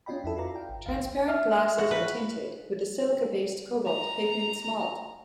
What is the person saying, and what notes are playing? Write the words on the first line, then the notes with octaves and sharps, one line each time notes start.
Transparent glasses are tinted with the silica-based cobalt pigment smalt.
C#4 D4 F4 D#5 G5 B5
F2 E4 A4
F4 F#4 B4 D5 A#5
F5 G5
G#1
G#1 D#2 F5
E5 F6
F#4
B4
A#5